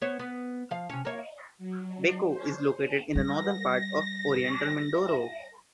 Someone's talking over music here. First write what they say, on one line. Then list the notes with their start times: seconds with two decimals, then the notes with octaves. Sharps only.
Baco is located in the northern part of Oriental Mindoro.
0.02 B3 C5 C#5
0.19 B3
0.71 F3 F5
0.90 C3 C#4
1.05 A#3 C#5
1.58 F#3
2.28 C5
3.15 G3 A#6